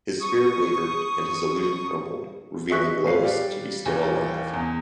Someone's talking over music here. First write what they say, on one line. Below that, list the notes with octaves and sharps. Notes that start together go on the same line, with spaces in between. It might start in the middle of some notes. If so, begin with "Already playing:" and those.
His spirit wavered, and his illusion crumbled, revealing Lois to be still alive.
C#6 D#6
D#5 E5 C#6 F#6 B6
A2 C#4 F4 C7
G3 D5 F5
D#2 E3 A#3
E2